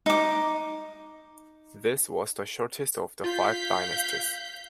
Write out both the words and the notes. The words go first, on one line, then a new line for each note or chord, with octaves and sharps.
This was the shortest of the five dynasties.
D#4 D6
F4 F5 G6 B6